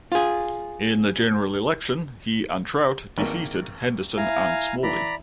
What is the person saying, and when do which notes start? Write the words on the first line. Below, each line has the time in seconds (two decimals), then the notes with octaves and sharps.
In the general election he and Trout defeated Henderson and Smalley.
0.12 F4 G#4
3.18 G#1 A#3
4.17 E4 F5 G#5 A#5
4.83 E3 D5 A#5 B5